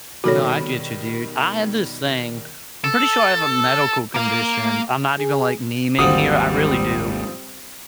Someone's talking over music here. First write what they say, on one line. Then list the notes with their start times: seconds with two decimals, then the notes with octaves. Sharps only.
No, I get you, dude. I have this thing I'm pretty sure I have a medical condition. I'm not even, like, naming here, I really do.
0.24 B2 D#3 G3 F#4 A4 C#5
2.84 A4
4.15 A#3 F5
5.19 G#4
5.99 G#1 D#2 F3 G3 C4 C#4 F#4 D#6